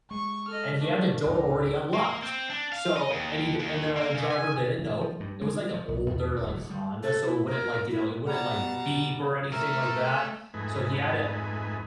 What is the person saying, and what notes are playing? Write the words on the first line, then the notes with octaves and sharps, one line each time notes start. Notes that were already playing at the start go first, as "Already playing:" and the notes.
and he had the door already unlocked. So and he'd and the driver didn't know, it was, like, a older, like, Honda, so it wouldn't, like, you know, it wouldn't, like, beep or anything like that. So he had a
G#3 C#6
A4 D#5 F6
D#3 A3 D4
C#2 A2 D#4
A#3
C4
D4
F5
D#5
D#2
D#2
A#3
C#3
G#5
E3
F3
G2
G#3
F3
B1
E2
D2
D1
D3
G3
A4
E4
A#4
E4
B2 G3 F#5 A5 A#5
A3 A#4 E5
F2 G#2 A3 D#4 B4 G#5